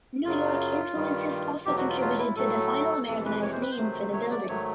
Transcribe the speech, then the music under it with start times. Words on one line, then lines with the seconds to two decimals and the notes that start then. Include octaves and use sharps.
New York influences also contributed to the final Americanised name for the building.
0.25 F#2 C#3 F#3 F4
0.95 G2 D#3 G3
1.65 E2 B2 F#3 G4
1.78 F#4
1.89 F4
2.01 F4
2.19 E4
2.36 A2 F#3 A3 A4
3.07 F2 C3 E3 G#3 A4
3.25 B4
3.42 C#5
3.52 C5
3.62 B4
3.71 C5
3.77 C3 D#3 F#3 A3
4.13 C#5
4.31 D5
4.48 G#2 D#3 F#3 A3 C#5